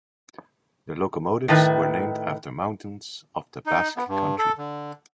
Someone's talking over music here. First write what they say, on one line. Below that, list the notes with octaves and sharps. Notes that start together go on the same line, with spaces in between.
The locomotives were named after mountains of the Basque Country.
A2 D#3 B4 E5
D#4
B3
G2
A4
D3